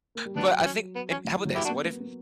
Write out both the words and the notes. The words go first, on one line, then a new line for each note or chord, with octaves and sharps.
But I think and how about this? What if
A#3
G3
F#3 B3 D4
C#4
B3
C#4
F#3
E3
F#3
A#3 E4 G4
D4 F#4
B3
B3
B3